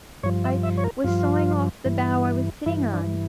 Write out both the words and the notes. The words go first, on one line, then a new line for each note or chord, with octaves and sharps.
I was sawing off the bough I was sitting on.
G2 F3 C#5
E5
E5
C#5
A#4
G2 F3 F4
G2 E3
G2 E3 E4
D4